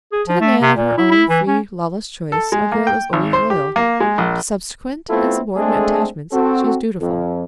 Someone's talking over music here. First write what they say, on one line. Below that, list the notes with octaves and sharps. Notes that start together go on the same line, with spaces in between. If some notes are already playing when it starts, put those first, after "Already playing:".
To the man of her own free lawless choice a girl is always loyal; to subsequent and subordinate attachments she is dutiful.
G#4
F3
A3
C3
A#2
E4
E4
E3
C#4
A4
G#3
A#3
G5
G#1
C5
G4
A#3
G#3
A#1
A3 B3 C4 E4 F4 A4
G#3 A3 C4 D4 G#4 A4
C4 F#4 A4
F2